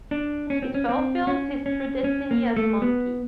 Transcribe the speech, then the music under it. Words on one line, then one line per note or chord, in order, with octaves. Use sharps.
This fulfils his true destiny as Monkey.
D4
C#4
C4
C#4
C4
C#4
C#4
C#4
A#3
A3
B3